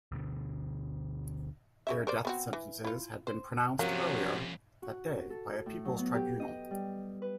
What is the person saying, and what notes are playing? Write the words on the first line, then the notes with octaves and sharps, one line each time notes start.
Their death sentences had been pronounced earlier that day by a People's Tribunal.
D2 B2 D3
C#3 C#4 E5
A#4 C5 D5
B3 C4 F#4
E3
E4 F4
C5
C3 F3 F#3 A#3 C#4
F#4
A4
A2
F#3
B3
G4
D#5
G3
B4